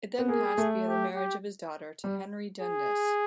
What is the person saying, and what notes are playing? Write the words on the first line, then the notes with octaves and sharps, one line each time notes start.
It then passed via the marriage of his daughter to Henry Dundas.
B3
A#3 G#4
A3
G4
G4
G3
G#4